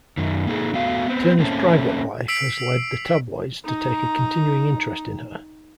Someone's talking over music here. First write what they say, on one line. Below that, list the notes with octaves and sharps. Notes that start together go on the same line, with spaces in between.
Turner's private life has led the tabloids to take a continuing interest in her.
F#2 D#3
A#3 D#4 G#4 A4
A3 B3 F#4 F5
B3 C4
A3 A#3 C4 C#4 A4
E6 B6 C7 D7 F7
D#4 A#5